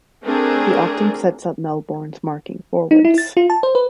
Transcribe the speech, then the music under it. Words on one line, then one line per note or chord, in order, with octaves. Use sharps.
He often sets up Melbourne's marking forwards.
A3 C4 D4 G#4 A#4
D#4
E4
A6
F4
A5
C5
B4